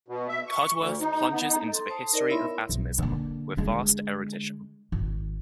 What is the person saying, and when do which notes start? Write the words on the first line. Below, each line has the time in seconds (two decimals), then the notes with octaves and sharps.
Cudworth plunges into the history of atomism with vast erudition.
0.08 B2
0.29 E5
0.47 C#6
0.78 D2
1.01 D#4
1.32 B3
1.48 D#4
1.72 A4 C6
1.88 C5 A5 D#6
2.13 D#4 A#4 D5 D#5
2.29 B3 E4 C#5 E5 B5 C6
2.69 B1
2.98 D3 A#3
3.57 D3 G#3
4.92 G#1